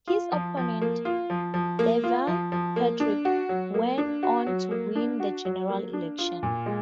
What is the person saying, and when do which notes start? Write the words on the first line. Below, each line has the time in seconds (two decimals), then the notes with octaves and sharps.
His opponent, Deval Patrick, went on to win the general election.
0.07 F4
0.32 F3
0.57 F3
0.82 A#3
1.05 F4
1.30 F3
1.54 F3
1.79 A#3
2.04 F4
2.27 F3
2.52 F3
2.76 A#3
3.00 D4
3.25 F#4
3.49 F#3
3.74 A#3
3.98 D4
4.23 F#4
4.47 F#3
4.71 A#3
4.95 D4
5.20 F#4
5.45 F#3
5.69 A#3
5.93 D4
6.19 F4
6.43 A#2
6.66 G#3